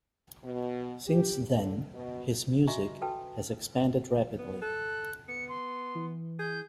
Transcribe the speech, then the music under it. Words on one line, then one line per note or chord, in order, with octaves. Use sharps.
Since then his music has expanded rapidly.
B2
G4
D3
B2
F#4 D#5 E5 G#5 A#5 C#6
F#4 A4 B4 G5 A5
B3
A4 F#6
B3 C#7
C6
E3
G#4 G6